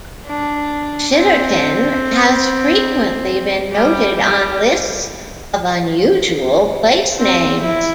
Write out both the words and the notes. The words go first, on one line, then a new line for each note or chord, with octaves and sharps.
Shitterton has frequently been noted on lists of unusual place names.
D4
C4
G3
G3
C4
E4